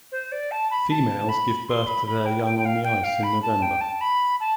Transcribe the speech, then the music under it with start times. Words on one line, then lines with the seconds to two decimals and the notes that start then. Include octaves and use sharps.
Females give birth to their young on the ice in November.
0.11 C5
0.31 D5
0.51 A5
0.71 B5
0.90 A5
1.28 B5
1.68 C6
1.86 B5
2.06 B5
2.25 G5
2.45 G5
2.58 G5
2.65 F5
2.83 G5
3.03 F5
3.23 B5
3.42 A5
3.62 G5
3.80 A5
4.01 B5
4.40 A5